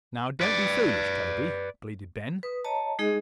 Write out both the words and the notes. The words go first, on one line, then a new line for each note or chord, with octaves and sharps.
"Now don't be foolish, Toby," pleaded Ben.
B4 D5
B4 D#6
C#5 D#5 A5 A#5
G#3 D#4 G#4 D#5